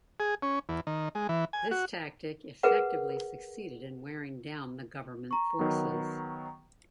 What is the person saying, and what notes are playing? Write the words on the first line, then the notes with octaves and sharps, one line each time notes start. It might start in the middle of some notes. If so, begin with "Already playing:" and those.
This tactic effectively succeeded in wearing down the government forces.
G#4
C#4
E2
D#3
G#3
E3
G#5
F#4
G#4 A#4 B4 F#5
A#5 C#6
D#3 F#3 B3